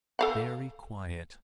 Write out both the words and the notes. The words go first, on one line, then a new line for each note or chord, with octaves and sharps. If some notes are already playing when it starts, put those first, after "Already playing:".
Very quiet.
A4 F5 F#5